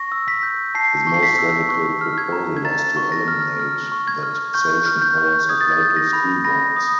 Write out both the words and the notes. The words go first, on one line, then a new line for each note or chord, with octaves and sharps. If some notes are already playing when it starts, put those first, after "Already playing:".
His most radical proposal was to eliminate the taxation powers of local school boards.
Already playing: C#6 A#6
E6
B6
G6
A5 C7
C#6
C7
B6
E6
C#6
F6
G#6
A#5
G#6
A#5 A6
C#6
A#6
F6
F6
C#6
G#6
F6
C#6 G6
F6
G6
C#6
D#6 G#6
A6
G#6
G6
A#6
B5
B5 A#6
D#6